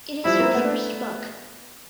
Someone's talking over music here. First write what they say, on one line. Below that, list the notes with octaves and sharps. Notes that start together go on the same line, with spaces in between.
It is her first book.
F3 G3 E4
A#3 C4
A3 B3